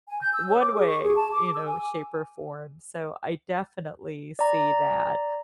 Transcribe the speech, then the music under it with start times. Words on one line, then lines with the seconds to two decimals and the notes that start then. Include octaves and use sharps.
One way, you know, shape or form, so, I definitely see that,
0.07 G#5
0.21 G6
0.33 E6
0.47 C#5
0.60 D6
0.73 G#4
0.87 C#6
1.03 G#4
1.16 A5
1.31 D6
1.55 E6
1.66 G#5
4.39 D5 A#5